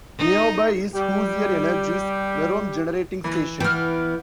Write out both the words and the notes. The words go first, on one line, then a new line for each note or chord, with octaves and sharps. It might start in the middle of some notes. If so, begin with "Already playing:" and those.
Nearby is Hoosier Energy's Merom Generating Station.
D#4
G3 G4
E3
E3 B3 G5 F6